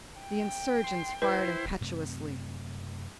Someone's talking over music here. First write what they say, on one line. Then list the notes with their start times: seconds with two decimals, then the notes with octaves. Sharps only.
The insurgents fired impetuously.
0.21 G5
0.84 C6
1.22 E4 B4 C5
1.81 F#2 C3 A3 C4